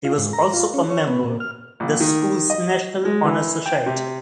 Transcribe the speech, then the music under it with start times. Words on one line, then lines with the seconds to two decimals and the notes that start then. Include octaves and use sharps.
He was also a member the school's National Honor Society.
0.05 F4
0.18 G#2
0.33 A#5
0.54 F4
0.74 C#4
0.90 C#5
1.08 B3
1.23 A#2
1.40 F6
1.80 A#1
2.00 D#3
2.50 D#5
3.05 G#3
3.25 E3
3.66 G5
3.86 C3